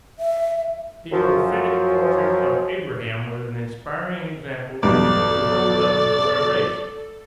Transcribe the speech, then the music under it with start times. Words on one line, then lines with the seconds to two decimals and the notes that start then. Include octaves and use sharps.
The prophetic portrait of Abraham was an inspiring example to hold up before a race.
0.19 E5
1.12 F#2 F3
4.83 B1 E2 G2 A4 D5 D6